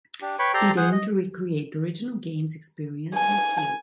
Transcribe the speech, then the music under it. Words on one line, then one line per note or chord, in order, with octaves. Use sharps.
It aimed to recreate the original games experience and appeal.
D4 G4
B4 C#5 G5 B5 C#6
G4 A4 C5 D5 A#5 C6
G#4 C5 F#5
D#5
G#5